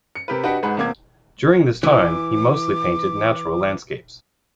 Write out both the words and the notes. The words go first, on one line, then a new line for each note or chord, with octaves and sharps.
During this time, he mostly painted natural landscapes.
C#7
C3 G4 A#4 B4
D4 F#4 G4 B4 D#5 F#5
G#2 G#3 B4 F#5 B5
E2 C3 A#3 D6 G#6
E3 D6